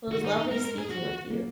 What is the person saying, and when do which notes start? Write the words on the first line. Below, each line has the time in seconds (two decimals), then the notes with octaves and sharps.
Well, it was lovely speaking with you.
0.07 C#3
0.12 D#3 F#4
0.25 D#4
0.38 D#4
0.52 G#3 A#4
0.65 A#4
0.78 G#4
0.91 F#4
1.30 A#3